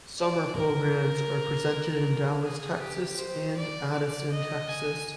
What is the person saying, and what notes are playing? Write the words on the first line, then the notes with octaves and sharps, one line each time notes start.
Summer programs are presented in Dallas, Texas, and Addison, Texas.
D5
A#4
G#4
G4
C5
D5
D5
D#5
G#5